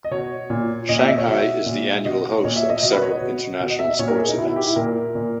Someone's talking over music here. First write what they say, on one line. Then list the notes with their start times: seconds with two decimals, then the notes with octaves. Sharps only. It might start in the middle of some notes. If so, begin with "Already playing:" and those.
Shanghai is the annual host of several international sports events.
0.04 D#5
0.11 B2 C#5
0.50 A#2
0.89 A#2 D#5
0.98 E5
1.09 D#5
1.18 C#5
1.27 B2 E5
1.66 A#2
2.05 B2 D#5
2.44 A#2 C#5
2.56 E5
2.70 D#5
2.77 E5
2.82 B2 D#5
2.93 B4
3.02 C#5
3.11 D#5
3.21 B2
3.60 B2
3.70 D#5
3.79 E5
3.89 D#5
3.99 A#2 C#5
4.08 A#4
4.19 G#4
4.28 D#4
4.37 B2 E4
4.47 E4
4.56 G4
4.67 E4
4.76 A#2 A#4
5.15 A#2